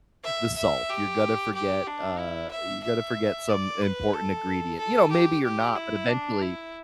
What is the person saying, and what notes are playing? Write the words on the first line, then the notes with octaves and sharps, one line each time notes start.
the salt, you're gonna forget, uh, you're gonna forget some important ingredient. You know, maybe you're not, but eventually
E5
E5
G4
G4
D4
E4
E5
E5
D5
B4
A4
A4
G4
G4
E4
D4
E4